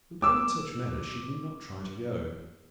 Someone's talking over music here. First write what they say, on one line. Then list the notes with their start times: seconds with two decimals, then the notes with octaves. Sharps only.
But beyond such matters she did not try to go.
0.22 D6 E6